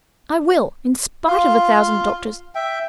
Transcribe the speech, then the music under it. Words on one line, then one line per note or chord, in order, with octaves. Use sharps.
I will, in spite of a thousand doctors.
F4 F5
E5 G5